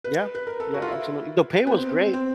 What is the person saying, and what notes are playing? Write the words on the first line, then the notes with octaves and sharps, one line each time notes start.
Yeah, yeah, absolutely, the pay was great,
B4
B4
A#4
A4
F#4
F4
E4
B3
C4
C4